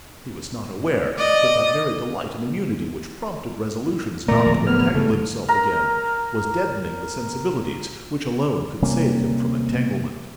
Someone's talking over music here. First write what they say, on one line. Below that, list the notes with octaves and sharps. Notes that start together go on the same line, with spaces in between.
He was not aware that that very delight in immunity which prompted resolutions not to entangle himself again, was deadening the sensibilities which alone could save him from entanglement.
D5 D#5
A#2 A3 A#4 D5 A#5
D1 F3
B3 F6
G2 C#3 A3
A#4 A#5
C3 G3 A#3 C#4